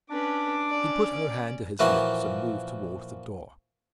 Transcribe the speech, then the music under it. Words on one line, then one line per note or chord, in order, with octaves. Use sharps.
He put her hand to his lips, and moved towards the door.
C#4 D4 B4 D6
C#4 D5
A#2 E3 F3 A#3 E4 F#4